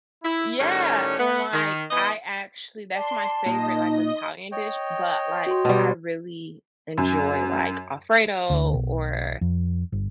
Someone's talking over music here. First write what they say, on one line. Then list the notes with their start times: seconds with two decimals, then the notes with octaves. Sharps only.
Yeah, and, like, I actually that's my favorite, like, Italian dish, but, like, I really enjoy, like, Alfredo or,
0.23 E4
0.59 A2 D#3 G3 C#4
1.19 B3
1.52 D#3
1.91 E3 B3 D#5
2.95 D5 A5 C6
3.46 A#2 D#4 D#5
4.52 C#5 D#5 G5
5.47 F#4 C6
5.65 B2 G3
6.98 F#2
8.50 D2
8.73 B1
9.41 F2
9.92 G1